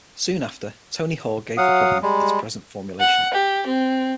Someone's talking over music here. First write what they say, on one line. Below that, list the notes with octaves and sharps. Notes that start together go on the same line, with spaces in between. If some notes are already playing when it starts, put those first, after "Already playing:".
Soon after, Tony Hoare gave the problem its present formulation.
F#3 F5 F#5 D#6
G3 G#3
F#5
G4
C4